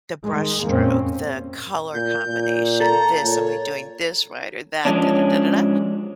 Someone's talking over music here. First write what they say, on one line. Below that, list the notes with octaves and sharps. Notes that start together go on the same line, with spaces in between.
the brush stroke, the color combination, this, "Am I doing this right, or that?" Da da da da da.
D#3 G#3
F2 A#2 A#3 C4 C#4
A#2 G6
A#2
A4 A#5
A#2 C#5
F3 G#3 C#4 D4